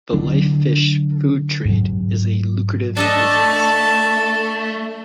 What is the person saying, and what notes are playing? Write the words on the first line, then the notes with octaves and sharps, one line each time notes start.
The life fish food trade is a lucrative business.
D3 F#3 D4
G#2 F#3
A3 D4 A4 D#5 A5